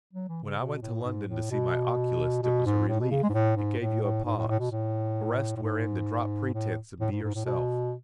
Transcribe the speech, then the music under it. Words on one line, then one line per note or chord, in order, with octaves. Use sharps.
When I went to London to see my oculist it was a relief; it gave you a pause, a rest wherein to drop pretence and be yourself.
F#3
E3
C#3
B2
A2
G#2
A2
B2
B2
G#2
A2
B2
C#3
G#3
G#2
A2
G#2
A2
A2
G#2
A2
A2
B2
A2
A2
G#2
A2
A2
G#2
G#2
A2
B2